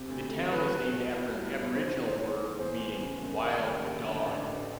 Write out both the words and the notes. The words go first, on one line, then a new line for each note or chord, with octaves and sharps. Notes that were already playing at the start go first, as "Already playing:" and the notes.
The town is named after an Aboriginal word meaning "wild dog".
Already playing: C3
D2
A3
F#3 B4
F#3
B2
E4
G3
B2
E3 C5
C5
E3
C5
A3 C#5
E3
E2 C5
E2
C#3
F#1
D#2
D#2
D#2
D3
A1
A1